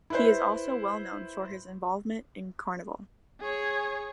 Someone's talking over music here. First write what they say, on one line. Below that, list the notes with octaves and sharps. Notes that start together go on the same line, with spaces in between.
He is also well known for his involvement in Carnival.
E4 B4 C5
G#4 C#5